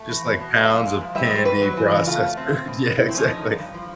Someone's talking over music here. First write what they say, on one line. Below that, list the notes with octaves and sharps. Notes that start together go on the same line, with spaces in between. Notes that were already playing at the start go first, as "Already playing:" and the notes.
just like, pounds of candy processed food, yeah, exactly,
Already playing: A3
E3
B2
B2
F#2 D#5
E5
F#2 F5
G#3
F3
G3 E5
D#5
G3 C5
B2 B4
F#3
E3
C#3
A3 F4
A3
C4
C4
B2
B2
A3 E4
C4
F3 C#4
D3 D#4
F2
G2
F3